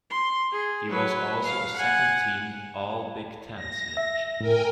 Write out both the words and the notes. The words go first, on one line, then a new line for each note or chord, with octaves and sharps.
He was also a second team All-Big Ten selection.
C6
G#4
F#3 B4
F5
F#5 G#5
A#6
E5
A2 A#4 G5 G#5